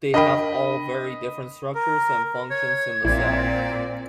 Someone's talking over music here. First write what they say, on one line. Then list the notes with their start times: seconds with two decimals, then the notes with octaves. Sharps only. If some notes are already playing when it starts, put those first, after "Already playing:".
They have all very different structures and functions in the cell.
0.14 D4 A#4 D#5 G5 B5
1.75 A#4
2.51 C#5 G#6
3.05 A#1 A#2 C4 E4 D5